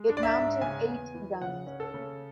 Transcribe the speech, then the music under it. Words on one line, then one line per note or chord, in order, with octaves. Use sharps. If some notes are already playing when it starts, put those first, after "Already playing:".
It mounted eight guns.
Already playing: G#3
D4
D5
E5
G#2
C#3 G#5
E2
E3
C#3 F#5
C#4
A4
C#3